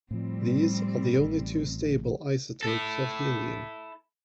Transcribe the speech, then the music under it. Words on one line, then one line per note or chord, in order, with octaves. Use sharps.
These are the only two stable isotopes of helium.
A2 F3 G3 C4
A1
E4 A4